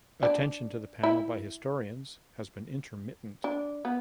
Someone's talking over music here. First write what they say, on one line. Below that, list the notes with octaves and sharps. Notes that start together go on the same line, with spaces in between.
Attention to the panel by historians has been intermittent.
D4
E4
D4
B3